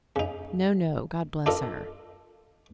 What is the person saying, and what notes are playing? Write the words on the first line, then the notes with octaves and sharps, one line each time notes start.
No, no, God bless her!
C#3 D#4
D4 D#4 F4 A4 A#4